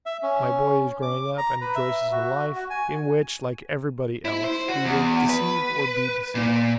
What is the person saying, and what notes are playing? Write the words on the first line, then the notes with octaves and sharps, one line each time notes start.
My boy is growing up and rejoices in life, in which like everybody else he will deceive or be deceived.
E5
C#4
D6
A#5
B4
E5
F#4
F#4
G#5
E4
C5
F#4
E2
B4
A#2